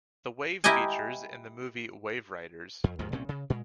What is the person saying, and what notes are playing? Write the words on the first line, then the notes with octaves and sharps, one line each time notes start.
The wave features in the movie Waveriders.
E4 G4 A#4 D#5 G#5
F2
D#2 G#2 D#3 F3
C2 A#2 C4 C#4
C#3
A#2 G#3